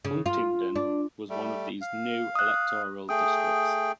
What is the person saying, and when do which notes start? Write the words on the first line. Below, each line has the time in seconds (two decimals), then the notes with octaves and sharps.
Huntingdon was one of those new electoral districts.
0.05 C#3
0.26 F4
0.76 D4
1.29 G3 A3
1.81 F5
2.35 D#6 F#6
3.09 A3 G#4 G5 D#6